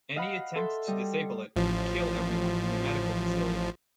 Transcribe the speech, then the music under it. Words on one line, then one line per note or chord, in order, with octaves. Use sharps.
Any attempt to disable it could kill everyone in the medical facility.
D#5 F5 F#5 B5
A4 E5 C6
G3 D#5
A1 F3